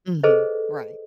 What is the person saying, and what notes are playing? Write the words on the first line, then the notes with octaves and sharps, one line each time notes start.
Mhm, right.
G#4 A4 B4 C5 D#5